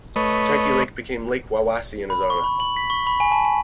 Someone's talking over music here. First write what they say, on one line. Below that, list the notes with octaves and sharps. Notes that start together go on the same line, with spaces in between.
Turkey Lake became Lake Wawasee in his honor.
A3 B4 C#5 D#5
B5
C#6
B5
F#7
B6
C#6
B5
G#5
A5
G#5